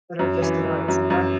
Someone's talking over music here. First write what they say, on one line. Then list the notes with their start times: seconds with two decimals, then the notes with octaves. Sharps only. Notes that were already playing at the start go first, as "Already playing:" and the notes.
That are just the whites. Right.
0.19 F#2
0.42 E3
0.65 E3
0.88 F#2
1.10 F#2